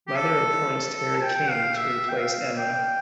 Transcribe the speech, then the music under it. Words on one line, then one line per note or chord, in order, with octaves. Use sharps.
Mother appoints Tara King to replace Emma.
G4
A4
A4
A5
G5
F5
E5
G5
F5
G5